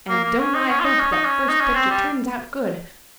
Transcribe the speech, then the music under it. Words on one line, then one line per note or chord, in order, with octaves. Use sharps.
And don't I hope that first picture turns out good!
A#3
A#3
C#4
D#4
C#4
F4
D#4
C#4
D#4
C#4
D#4
C#4
C4
G3